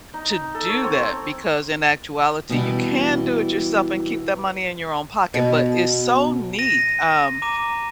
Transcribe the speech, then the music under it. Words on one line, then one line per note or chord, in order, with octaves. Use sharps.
to do that, because in actuality, you can do it yourself and keep that money in your own pocket. But it's so neat, um,
D#4
A4
C#5
C4
B2 E3 G3
B2
A#6 D#7
A#5 D6 D#7